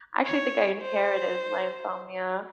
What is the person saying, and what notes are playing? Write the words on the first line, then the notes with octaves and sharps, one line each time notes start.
I actually think I inherited my insomnia.
C#5
C5